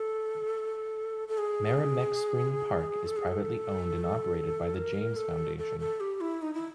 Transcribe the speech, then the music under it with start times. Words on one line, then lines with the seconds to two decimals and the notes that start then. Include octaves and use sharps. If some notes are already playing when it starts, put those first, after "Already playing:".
Maramec Spring Park is privately owned and operated by The James Foundation.
Already playing: A4
1.28 A4
1.38 G#4
3.06 A4
3.17 G#4
3.28 A4
4.75 A#4
5.16 A4
5.58 A4
5.80 A4
6.00 G4
6.21 E4
6.42 D#4
6.54 E4